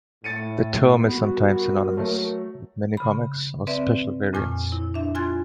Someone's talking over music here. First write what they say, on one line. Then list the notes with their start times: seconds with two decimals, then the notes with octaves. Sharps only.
The term is sometimes synonymous with minicomics or special variants.
0.24 A2 A6 C#7 D#7
1.04 G3 B3 F#4
1.36 A#4
1.97 F#3 A3
2.97 C#3 B5
3.67 C4 B4 D5 E5
4.33 F2 A#2 G#5 C#6 F6
4.72 E4
4.94 D4 E5
5.15 F4 G#5 C6 F#6 G#6 A6